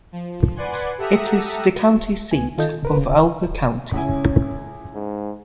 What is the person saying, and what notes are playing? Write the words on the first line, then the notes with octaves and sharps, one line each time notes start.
It is the county seat of Alger County.
F3
B4 D5 F#5 G#5 C6
G4 A4 E5 F#5 A#5 D#6
C#2 B3 G#5
D#3 F4 A4 D#5 G6
C#3 A#4 B4
C#3
C#2 C#4 E4 G#5
G#2